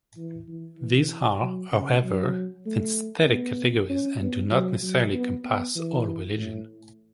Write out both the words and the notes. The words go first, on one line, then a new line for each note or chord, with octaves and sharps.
These are, however, synthetic categories and do not necessarily encompass all religions.
E3
E3
E3
F#3
C#3
F#3
A3
B3
C#4
B3
F#3
F#3
B3
B3
E3
A2